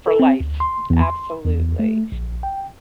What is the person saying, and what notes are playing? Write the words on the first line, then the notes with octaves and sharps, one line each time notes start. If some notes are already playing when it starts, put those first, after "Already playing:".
for life. Absolutely.
A4
C4
D2
C6
E2
C6
E2
A3
A#1
G5